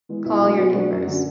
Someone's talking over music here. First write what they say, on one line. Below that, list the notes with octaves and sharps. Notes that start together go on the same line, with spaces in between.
Call your neighbors!
E3 G#3 B3
B2 E4
F#3 A3 D4
B2 F#4
F#3 A3 D4
F#2
D3 F#3 C#4